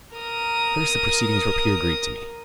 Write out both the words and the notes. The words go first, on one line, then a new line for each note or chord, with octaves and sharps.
At first the proceedings were pure Greek to me.
A#4 D#6